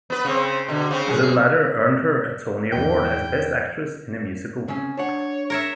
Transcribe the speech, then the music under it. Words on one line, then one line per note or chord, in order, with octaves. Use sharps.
The latter earned her a Tony Award as Best Actress in a Musical.
B3 B4
C#3 C4
B2 D3
C#3 C4
F#2 G#4
E2 G5
C#3 C4 C#4
D4 C#5 F#5
A#4 C#5 E5